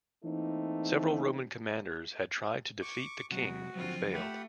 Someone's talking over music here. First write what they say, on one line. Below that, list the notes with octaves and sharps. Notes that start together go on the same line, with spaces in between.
Several Roman commanders had tried to defeat the king and failed.
E3 A3 A#3 C4 D#4
C#6 D6
C3 F#3 G#3 F#4
D3 F3 F#3 C4 F4
A3 G4 F#5 B5